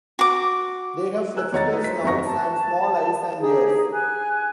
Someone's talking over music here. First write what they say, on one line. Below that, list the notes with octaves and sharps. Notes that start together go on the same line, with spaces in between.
They have flexible snouts and small eyes and ears.
F#4 D6
B4 G#5 E6 F#6
E2 D#3 C#5 D#5 A#5 A6
A3 D#4 E4 B4 D#5 E5
C5 A#5 B6
G1 F2 D#4 F#5 C#6 A#6
A5
D#4 G4 G#4
G#5 F#6